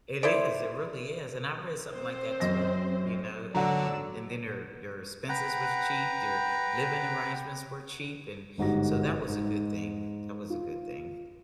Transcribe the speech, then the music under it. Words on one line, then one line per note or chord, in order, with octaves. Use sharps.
It is, it really is, and I've read something like that too, you know, and and and then their their expenses was cheap, their living arrangements were cheap, and so that was a good thing. That was a good thing.
E4 C5 D5
C4 C5
F#2 D#5 A#6
D3 F#3 D5 F#5 A#5 E6
B4 F#5 G5 A#5
G1 G#2 F#4 G4 A#6
G#2
F4